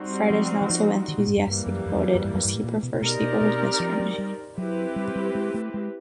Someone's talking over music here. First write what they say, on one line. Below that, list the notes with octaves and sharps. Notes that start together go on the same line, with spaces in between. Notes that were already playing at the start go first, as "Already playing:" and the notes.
Fred is not so enthusiastic about it as he prefers the old Mystery Machine.
Already playing: G3 C4 D#4 F#4
F3
E3
F3
D#3
A#2
G#2
F#2
G2 E3 G3 A#3
F#2
F#2
F2
F#2
G2
F#2
G2
A2
A#2
B2
C3
B2 C4 D#4 G4 A#4 D5
B2
B2
F3
F#3
G3
F#3 C4 E4 G4 B4
G3
G3
G#3
A3
G#3